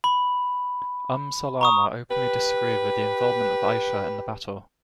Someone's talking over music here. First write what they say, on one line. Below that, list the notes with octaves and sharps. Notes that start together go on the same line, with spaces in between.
Umm Salama openly disagreed with the involvement of Aisha in the battle.
B5
A#5 C#6 D#6
G4 B4